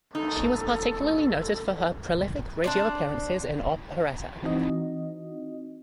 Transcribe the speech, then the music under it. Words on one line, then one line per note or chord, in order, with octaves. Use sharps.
She was particularly noted for her prolific radio appearances in operetta.
D#4 A4
D4 C5 D5
E3 C4 D#4 F#4 D#5